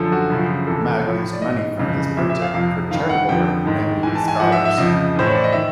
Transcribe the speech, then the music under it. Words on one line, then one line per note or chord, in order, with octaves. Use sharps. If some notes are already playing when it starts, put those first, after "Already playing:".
Mao used money from his printing for charitable work and needy scholars.
Already playing: F#2 D3 F3 A4
F#4
F#2 C#3 F3
E2 C3 E3 A4
A2 F3 C#5
D5
G#2 E3 D#5
F2 C#3 E3
A#2 F3 E5
E5
F5
F2 C3 F3 F5
G2 D#3 F5
F#5
F2 D3 F3 G5
G#2 D#3
G#2 E3 G#5
A5
G#5
G#2 F3 F#5
E5
E5
F2 C#3 F3 D#5
A2 E3 C5
C#5
D5
D#5
D#3 E5